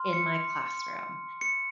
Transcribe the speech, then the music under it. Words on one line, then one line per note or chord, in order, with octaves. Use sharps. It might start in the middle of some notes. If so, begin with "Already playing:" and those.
in my classroom.
Already playing: C6 F6
C#7
C#7